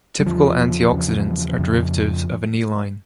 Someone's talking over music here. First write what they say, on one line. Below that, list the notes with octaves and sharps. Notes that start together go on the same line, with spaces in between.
Typical antioxidants are derivatives of aniline.
G3
E2 C#3 F3
E2 C#3
F2 C#3